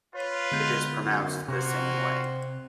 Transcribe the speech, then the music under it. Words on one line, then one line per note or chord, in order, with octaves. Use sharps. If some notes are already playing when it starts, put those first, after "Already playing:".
It is pronounced the same way.
F4 B4 C#5
D3 G#3 B3 G6
F#2
C3 A#3 C4 F4 F#4